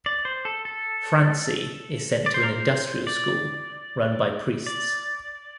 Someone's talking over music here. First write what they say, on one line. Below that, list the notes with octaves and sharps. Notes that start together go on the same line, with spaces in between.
Francie is sent to an 'industrial school' run by priests.
D5
C5
A4
A4
D5
C5
A#4
C5
D5
D5